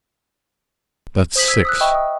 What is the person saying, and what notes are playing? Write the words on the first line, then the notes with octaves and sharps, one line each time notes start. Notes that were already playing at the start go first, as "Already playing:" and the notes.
That's six.
C5 D#6 B6 F#7
E6 G#6 B6
D#6 E6 F#6
D#5 E5 G5 B5 C#6
D#5 D#6